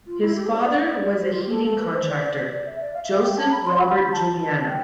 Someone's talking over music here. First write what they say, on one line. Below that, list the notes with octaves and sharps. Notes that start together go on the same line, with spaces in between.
His father was a heating contractor, Joseph Robert Juliana.
F4
E4
G4
A4
F5
D5
C5
F4
G4
A4
A4
B4
C5
D5
D5
D5
E5
D5
F5
E5
F5
G5
A5
B5
C6
B5
B5
B5
A5
G5